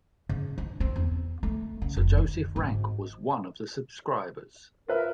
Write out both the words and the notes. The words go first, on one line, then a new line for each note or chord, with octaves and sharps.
Sir Joseph Rank was one of the subscribers.
C#3
D4
C4
E2
A3
C#3
F1
D3
G#1
F4 A#4 B4 E5